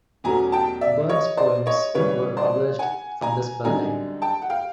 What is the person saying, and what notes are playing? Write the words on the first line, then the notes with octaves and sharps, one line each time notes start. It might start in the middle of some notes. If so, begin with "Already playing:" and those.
Burn's poems were published from this building.
E2 B2 F#3 A3 C#4 G#5 A#5
G5 A5
D5 E5
C#5 D#5
C5 D5
C#5 D#5
C#3 E3 G3 B4 C#5
C5 D5
F#5 G#5
G#5 A#5
F#2 D3 G3 C4 D#4 G#5 A#5
G5 A5
F#5
F5 G5